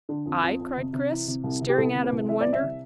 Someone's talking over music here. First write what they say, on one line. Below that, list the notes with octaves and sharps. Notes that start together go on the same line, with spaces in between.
"I?" cried Chris, staring at him in wonder.
D3
F2
F2
F2
C3
C3
E3
C3
C2
C3
G4
C2 A4
C3
B4
C2
E3 E5
C2 D5
E5
C3